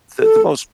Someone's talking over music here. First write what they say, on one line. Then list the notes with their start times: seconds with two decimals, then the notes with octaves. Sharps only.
the the most
0.21 A4